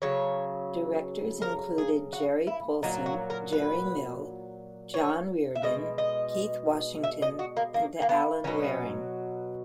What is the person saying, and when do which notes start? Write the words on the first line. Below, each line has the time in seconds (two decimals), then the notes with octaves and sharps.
Directors included Gerry Poulson, Gerry Mill, John Reardon, Keith Washington and Alan Wareing.
0.02 C#3 F#3 C#5
1.42 A#4
1.78 G#4
2.13 F#4
2.47 E4
2.83 A#2 F#3 D#4
3.06 F#4
3.30 A#4
3.52 B4
4.94 C#5
5.55 E5
5.63 B2 G#3 D#5
5.98 D#5
7.04 E5
7.22 D#5
7.39 F#4
7.57 A#3
7.74 A#3
8.02 A#3
8.09 B3
8.44 B2 F#3 C#4